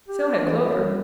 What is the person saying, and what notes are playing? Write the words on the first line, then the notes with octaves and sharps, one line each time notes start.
So had Clover.
G4
D4
F2 E3
F#2
F#2 G3